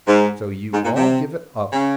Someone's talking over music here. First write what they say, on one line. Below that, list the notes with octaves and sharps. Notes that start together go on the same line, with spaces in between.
So you all give it up?
G#2
G#2
A#2
C3
C#3